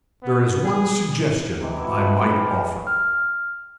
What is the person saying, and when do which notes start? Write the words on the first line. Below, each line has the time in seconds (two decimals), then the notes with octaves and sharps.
"There is one suggestion I might offer."
0.22 B3
0.64 G#4
1.60 C3 E3 G#3 G4
1.78 E4 F#4
1.95 F3 B3 F#4 B4
2.14 F4 G5
2.29 G4 D5 F5 A5
2.44 G#4 D#5 F5
2.87 F6